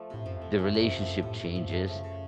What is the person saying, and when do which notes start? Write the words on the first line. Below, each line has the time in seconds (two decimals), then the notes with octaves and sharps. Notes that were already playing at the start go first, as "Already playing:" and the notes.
the relationship changes
Already playing: F3 A3
0.10 A2 C3
0.26 F#2 F3
0.37 F2 A3
0.59 F#2 C3
0.75 C3
0.80 F#2
0.91 F3
1.01 F#2
1.07 A3
1.22 A2 C3
1.39 C3
1.44 F#2
1.56 A2 F3
1.66 F#2
1.72 A3
1.88 C#3
2.04 C#3